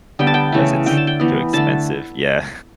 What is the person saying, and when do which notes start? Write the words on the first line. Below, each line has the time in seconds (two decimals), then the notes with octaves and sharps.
'cause it's too expensive. Yeah.
0.19 D3 G3 B3 G5
0.27 A5
0.34 G5
0.52 C#3 E3 A3
0.86 D3 A3 G5
0.97 A5
1.07 G5
1.20 E3 B3
1.53 D3 A3 A5